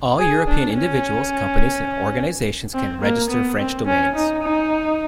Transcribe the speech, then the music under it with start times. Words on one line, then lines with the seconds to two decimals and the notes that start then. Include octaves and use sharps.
All European individuals, companies and organizations can register French domains.
0.18 G#4
0.48 D4
0.75 C#4
2.74 C4
3.02 A#3
3.30 B3
3.59 C4
3.87 C#4
4.16 D#4
4.43 D#4